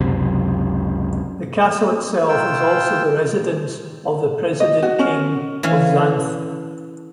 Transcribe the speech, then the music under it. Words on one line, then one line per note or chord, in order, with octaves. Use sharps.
The castle itself is also the residence of the present King of Xanth.
F#1 C#2 F#2 C3
F4 G5 E6
D#5
F#4
C#4
E3 C#4 F5 G#5